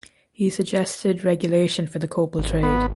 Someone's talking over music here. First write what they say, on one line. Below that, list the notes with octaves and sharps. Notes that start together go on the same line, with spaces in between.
He suggested regulation for the copal trade.
G#1
B3